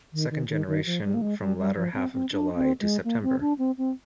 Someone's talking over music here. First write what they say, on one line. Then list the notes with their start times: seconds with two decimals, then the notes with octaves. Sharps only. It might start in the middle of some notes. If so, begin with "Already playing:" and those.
Second generation from latter half of July to September.
0.13 D#3
0.31 D#3
0.49 D#3
0.68 D#3
0.86 F3
1.04 G3
1.14 A#3
1.22 G#3
1.40 G3
1.59 G3
1.77 F3
1.94 C4
2.13 C4
2.32 D4
2.55 C4
2.81 G#3
3.04 A#3
3.23 C4
3.41 D4
3.59 C4
3.78 C4